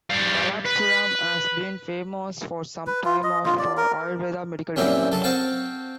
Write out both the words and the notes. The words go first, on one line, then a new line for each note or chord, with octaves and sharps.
Palappuram has been famous for some time for Ayurveda Medical treatment.
G3 F5
B4
B4
F4
D#5
F4
D5
A#4
G2 A#2 F#3 C4 C#4 E4
F#3 A4
C4 F#4 F5 G5 A5